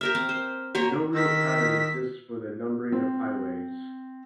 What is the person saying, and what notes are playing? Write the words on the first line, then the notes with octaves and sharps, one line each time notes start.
No real pattern exists for the numbering of highways.
G4 A#4 E5 F6
C4
C5
A#3 F#4 A#4 C#5
D#3 E6 B6
C4